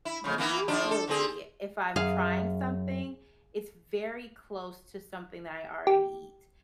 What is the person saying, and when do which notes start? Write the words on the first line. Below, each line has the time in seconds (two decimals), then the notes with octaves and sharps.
Usually, if I'm trying something, it's very close to something that I already eat.
0.05 E4
0.24 F2 C#3
0.38 E3 A#3 B3
0.68 G#2 F3 D4
0.91 A4
1.07 D3 C4 G#4
1.96 F#2 G#4 F5
5.87 G4